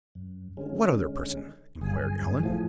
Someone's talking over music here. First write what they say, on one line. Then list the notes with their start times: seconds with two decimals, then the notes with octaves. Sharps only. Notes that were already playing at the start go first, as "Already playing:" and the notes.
"What other person?" inquired Allan.
0.15 F#2
0.57 D3 G#3 C#4
1.81 G1 F#2 G#4 G#5
2.43 A2 F3